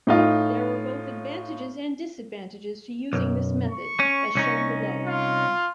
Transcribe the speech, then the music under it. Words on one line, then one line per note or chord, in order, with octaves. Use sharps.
There are both advantages and disadvantages to using this method, as shown below.
A2 D#4 F4
B1 F#2
C#6
C#4
C2 C#4 D#4
F4